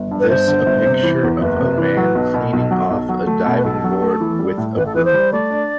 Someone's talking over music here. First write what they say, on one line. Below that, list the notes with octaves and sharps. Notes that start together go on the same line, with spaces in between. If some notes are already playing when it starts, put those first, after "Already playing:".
This a picture of a man cleaning off a diving board with a broom.
Already playing: G1
G2
B4
G1 C5
D3
G1
C3
E3
E2
F#1 B4
C3
E3
F#3
B1
B2
B1 A4
F#3
B1
F#3
A3
B2
B4
B1 A4
F#3
A3
E3
G3
A2
A1 B4
A4
E3 B4
C5
G3
A3 D5
D4